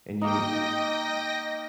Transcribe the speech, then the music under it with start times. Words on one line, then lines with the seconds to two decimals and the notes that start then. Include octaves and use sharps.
and you
0.22 A#3 D#4 D#5 G5 A#6